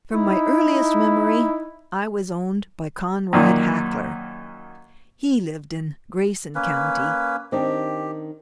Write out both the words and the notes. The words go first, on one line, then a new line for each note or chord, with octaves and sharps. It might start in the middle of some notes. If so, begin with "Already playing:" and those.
From my earliest memory I was owned by Conrad Hackler; he lived in Grason County.
D#4 E4
F#2 A#2 D#3
A#3 C#4 B4
D#3 C4 D4 G4